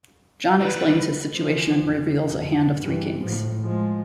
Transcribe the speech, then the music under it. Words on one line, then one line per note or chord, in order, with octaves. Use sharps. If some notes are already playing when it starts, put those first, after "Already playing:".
John explains his situation and reveals a hand of three kings.
E3 G3 B4
E3 F3
F2
F2
G2 E3
A2 F3
F3 G#3